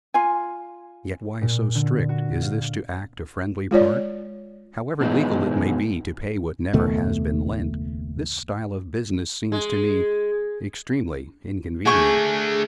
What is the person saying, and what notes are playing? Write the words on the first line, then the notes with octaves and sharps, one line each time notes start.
Yet why so strict? Is this to act a friendly part? However legal it may be To pay what never has been lent, This style of business seems to me Extremely inconvenient!
F4 G#5
A#2
D3
F#4
F5
G#3 F4 C#5 D5
G#2 B2 D#3 E3 G#3 D#4
F#1 D#2 B2 A3
G#3
A3 D4 G#4 G#5 C#6 G6